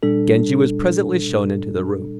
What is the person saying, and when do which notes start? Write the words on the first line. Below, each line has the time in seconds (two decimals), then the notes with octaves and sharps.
Genji was presently shown into the room.
0.03 A#2 G3 D4 A4